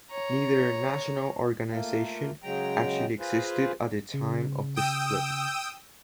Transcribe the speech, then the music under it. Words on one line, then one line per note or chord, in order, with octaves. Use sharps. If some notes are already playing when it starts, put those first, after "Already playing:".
Neither national organization actually existed at the time of the split.
C#5 A#5
A3 A#3 F4
C#3 F#3 G#3 G5 A#5
F4 G#4 B4 C5
C#3
G5 D#6 E6